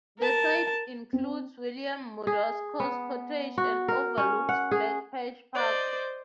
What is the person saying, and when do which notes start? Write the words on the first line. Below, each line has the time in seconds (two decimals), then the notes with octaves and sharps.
The site includes William Murdoch's cottage and overlooks Black Patch Park.
0.19 A#4 A5
1.13 C4
2.27 G#4
2.80 B3
3.58 F#4
3.88 A#4
4.17 C#4
4.49 F#5
4.71 G#4
5.54 C5 D5 D#5